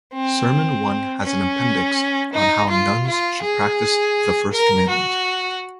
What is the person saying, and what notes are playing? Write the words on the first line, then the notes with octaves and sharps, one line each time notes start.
Sermon One has an appendix on how nuns should practice the first commandment.
C4
C#4
D#4
F4
F4
G#4
A#4
F#4